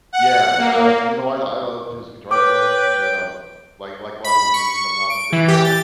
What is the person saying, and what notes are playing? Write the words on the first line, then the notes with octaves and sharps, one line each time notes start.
Yeah, yeah, I like it you know what? I lo love his guitar playing, but, um, like like a lot of his music, I'm not a big fan of,
F#5
A#3
B4 C#5 G5 D6
B5
C#6
D7
E3
G4
A6